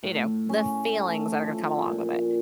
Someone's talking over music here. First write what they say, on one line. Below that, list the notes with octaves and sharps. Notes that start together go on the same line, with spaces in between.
you know, the feelings that are gonna come along with it.
A2
C#4
A3
F3
A#2